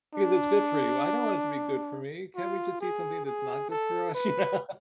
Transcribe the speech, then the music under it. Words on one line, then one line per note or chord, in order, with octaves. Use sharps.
it's good for you." "I don't want it to be good for me. Can't we just eat something that's not good for us, you know?"
D4
F4
G#4
G#4
A4
B4